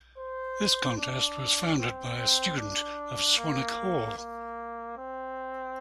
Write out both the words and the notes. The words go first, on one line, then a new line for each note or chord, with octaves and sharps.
This contest was founded by a student of Swanwick Hall.
C5
D4
C4
C4
D4
A#3
A#3
C4